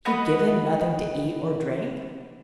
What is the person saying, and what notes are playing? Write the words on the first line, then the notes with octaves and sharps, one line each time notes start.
"You give him nothing to eat or drink?"
B3 F#4 B4 D#5